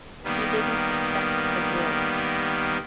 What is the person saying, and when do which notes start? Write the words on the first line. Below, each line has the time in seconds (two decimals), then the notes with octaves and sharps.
He didn’t respect the rules.
0.24 D#3 G3 A#3 B3